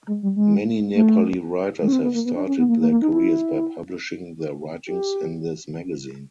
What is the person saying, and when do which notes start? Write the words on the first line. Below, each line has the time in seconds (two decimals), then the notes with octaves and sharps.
Many Nepali writers have started their careers by publishing their writings in this magazine.
0.07 G#3
0.23 G3
0.36 G#3
0.95 A3
1.82 G#3
1.88 C#4
1.93 C4
2.03 B3
2.14 A#3
2.25 B3
2.36 D4
2.47 C#4
2.58 B3
2.69 A#3
2.81 A#3
2.91 A#3
3.02 D#4
3.12 E4
4.87 G4